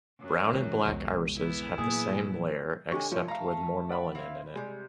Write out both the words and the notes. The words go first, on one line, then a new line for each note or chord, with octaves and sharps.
Brown and black irises have the same layer except with more melanin in it.
F#2 F#3 F#4
C#2 E3
B1 E2
E3 B3 E4
A#2 F#3 G#4
D3 F#3 G#3 G4 G#5 C#6
C2 F3 C#5
A3 F5 A#5
D5 F#5 B5
C4 E4 F5
C3 G3 G#3